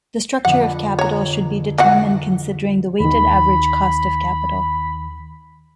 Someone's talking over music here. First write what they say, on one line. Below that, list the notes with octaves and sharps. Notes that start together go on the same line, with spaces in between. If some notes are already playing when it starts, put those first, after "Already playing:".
The structure of capital should be determined considering the weighted average cost of capital.
F2 D3 B3 F#5
C#5 A#5
E3 F#3 F#5
D#2 D#3 B5